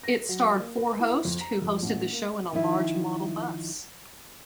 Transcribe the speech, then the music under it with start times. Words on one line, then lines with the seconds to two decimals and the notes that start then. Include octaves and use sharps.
It starred four hosts, who hosted the show in a large model bus.
0.03 A#6
0.29 F#3
0.59 A#3
0.77 B4
1.00 E4
1.25 F2
1.41 A#5
1.62 F2
1.82 A1
2.12 A#3
2.53 D#3 F3 E4